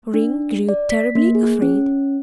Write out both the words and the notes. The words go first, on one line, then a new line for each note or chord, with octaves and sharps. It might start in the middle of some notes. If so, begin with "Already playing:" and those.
Ring grew terribly afraid.
D4
D5
B6
A#3
G#4
C#4